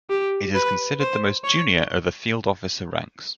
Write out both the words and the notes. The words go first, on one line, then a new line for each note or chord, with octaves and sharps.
It is considered the most junior of the field officer ranks.
G4
B4
C5
C#5